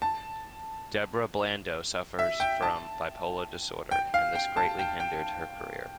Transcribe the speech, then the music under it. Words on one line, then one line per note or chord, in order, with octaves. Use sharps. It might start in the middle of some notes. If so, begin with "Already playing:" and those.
Deborah Blando suffers from bipolar disorder and this greatly hindered her career.
A5
E5
G5
A5
G5
F5
G5
A5
G5
G5